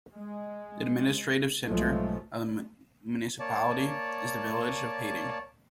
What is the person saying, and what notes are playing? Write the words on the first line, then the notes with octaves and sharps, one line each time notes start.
The administrative centre of the municipality is the village of Hatteng.
G#3
B1 G#2 F3 F#3 G#3 A3
A#3 C#5 D5 A5